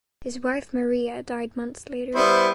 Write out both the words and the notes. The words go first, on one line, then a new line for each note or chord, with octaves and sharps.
His wife Maria died months later.
G3 B3 E4 C5